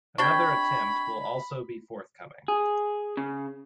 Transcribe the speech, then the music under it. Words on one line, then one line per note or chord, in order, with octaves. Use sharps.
Another attempt will also be forthcoming.
C3 D4 G5 B5 C#6 G#6
G#4
C#3